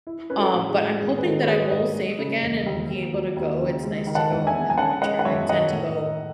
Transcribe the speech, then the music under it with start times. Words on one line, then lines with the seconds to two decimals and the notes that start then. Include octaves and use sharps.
um, but I'm hoping that I will save again, and be able to go. It's nice to go in the winter, and I tend to go
0.07 E4
0.30 C#4 B4
0.37 F#4 A4
0.54 A2
0.59 F#4
0.68 G#4
0.76 G#3
1.00 G#1 G#4
1.18 B4
1.24 D#3 F#4 A4
1.43 C#5
1.47 G#1 G#4 B4
1.62 C#5
1.71 G#2 B4 D#5
1.95 G#3
2.19 C#3
2.42 E1
2.66 D#2
2.90 D#2
3.13 F#3
3.36 D#2
3.61 C#3
3.84 G#3
4.07 D#3
4.15 F#5 A5
4.31 E1
4.47 E5 G#5
4.54 E2
4.70 G#5
4.78 C#4 F#5 A5
5.02 G#3 D#5 F#5
5.19 F#5
5.25 F#2 C#5 E5
5.49 D#3 D#5 F#5
5.72 A2
5.96 D#4